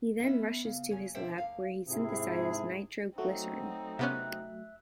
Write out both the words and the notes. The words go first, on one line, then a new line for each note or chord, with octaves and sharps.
He then rushes to his lab, where he synthesizes nitroglycerin.
B3 C#4 E5
C#3
C#3 C#5 G#5
B2 D3 C5 E5 G5
D2 F5
G#2 C3 E4 G#4
F#3 A3 C4 D#4 F#4
C3 B3 C#4 E5 F#6